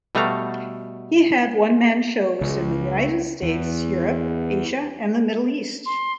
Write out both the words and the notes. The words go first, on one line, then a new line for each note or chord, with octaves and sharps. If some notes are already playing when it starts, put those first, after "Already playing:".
He had one-man shows in the United States, Europe, Asia and the Middle East.
B2 G3 A3 F#4 F5 A#5
C#2
E2
C6